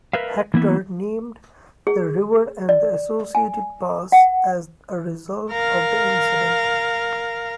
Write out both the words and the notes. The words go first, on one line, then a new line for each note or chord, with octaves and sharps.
Hector named the river and the associated pass as a result of the incident.
A#4 B4 E5 F5
E3 A#3 B3 E4
G#4
D5
G#5
F#5
A#4 F5